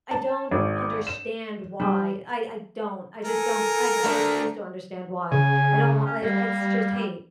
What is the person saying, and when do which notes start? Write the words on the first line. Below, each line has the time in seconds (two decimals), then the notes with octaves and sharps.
I don't understand why, I I don't, I just don't I I refuse to understand why, I don't wa I it's just hate.
0.11 A5
0.51 G#1
1.07 E7
1.80 G3
3.25 A4 A#4 G#5
4.04 A3 D4
5.32 C#3 G#5
6.05 C#4
6.22 G3 A#3